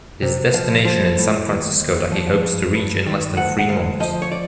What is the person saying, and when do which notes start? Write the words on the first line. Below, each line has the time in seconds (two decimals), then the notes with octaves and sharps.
His destination is San Francisco that he hopes to reach in less than three months.
0.22 C3
0.54 F3 F5
0.85 F3
1.17 A2
1.48 D#2
1.80 D#2
2.12 F3
2.43 G2
2.74 G2
3.06 D#3
3.37 D2 F#5
3.59 F#5
3.69 D2 F5
4.00 F3 D#5
4.22 C#5
4.32 D5